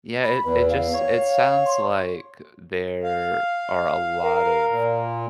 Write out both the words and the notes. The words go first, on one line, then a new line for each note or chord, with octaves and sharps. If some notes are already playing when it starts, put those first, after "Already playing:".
Yeah. It it just it sounds like there are a lot of
B5
E2 B4
F5
C#5
C6
F5
A#4
A#2